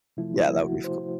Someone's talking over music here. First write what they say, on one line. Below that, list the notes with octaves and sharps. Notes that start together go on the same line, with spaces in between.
Yeah, that would be f cool.
C3 F3 A3 E4
E4
F#4
C5